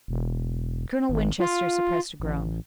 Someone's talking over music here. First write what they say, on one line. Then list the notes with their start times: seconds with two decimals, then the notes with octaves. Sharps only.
Colonel Winchester suppressed a groan.
0.08 E1
1.09 G#1
1.40 F4
2.20 A1